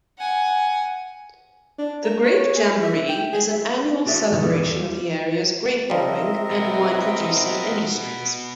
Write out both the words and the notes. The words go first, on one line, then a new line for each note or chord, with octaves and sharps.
The Grape Jamboree is an annual celebration of the area's grape-growing and wine-producing industries.
F#5 G#5
D4
A#4
C#5
G#4
E5
G5
G#4
E5
D4 F#4 A4 E5
E2 G2 B2 D#3
E2 G3 A4
F3 G3 C4 A#4 D#5 E5
B2 B3